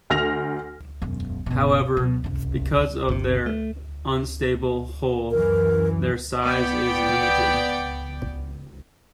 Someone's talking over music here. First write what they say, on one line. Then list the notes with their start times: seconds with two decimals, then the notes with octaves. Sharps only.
However, because of their unstable hull, their size is limited.
0.10 D2 F6 A#6 F7
1.02 E1 F#2
1.46 G1 B2
1.97 B2 F#3
2.24 F#1 C2
3.09 G1 C3
3.46 A3
5.31 F#2 E3 A#4
6.41 B3 D5 G5